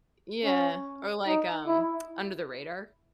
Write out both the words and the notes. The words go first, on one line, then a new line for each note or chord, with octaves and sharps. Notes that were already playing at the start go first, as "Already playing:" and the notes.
Yeah, or like, um, under the radar.
C#4
D#4
E4